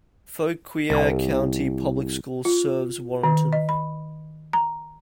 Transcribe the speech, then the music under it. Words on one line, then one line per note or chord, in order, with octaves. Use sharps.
Fauquier County Public Schools serves Warrenton.
C2
F4
D#3
D#5
B5
A#5